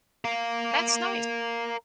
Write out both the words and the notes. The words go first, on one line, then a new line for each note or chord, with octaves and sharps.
That's nice.
A#4 F5